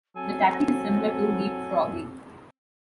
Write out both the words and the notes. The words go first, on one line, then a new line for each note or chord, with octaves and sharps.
The tactic is similar to leapfrogging.
F#3 C4 A4 G#5